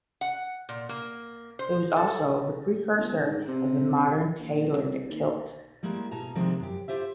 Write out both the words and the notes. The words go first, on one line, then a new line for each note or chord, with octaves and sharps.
It was also the precursor of the modern tailored kilt.
F#5
A#2
A#3
C5
A4
G1
G#2
C3
A#1
C2
D#2
G3 G#3 A#3 E4
B2 G#4 A5 A#5
C3 D#3 F3 G#3 C4 D4
F#2 G4
E4 F4 G4 C5 E5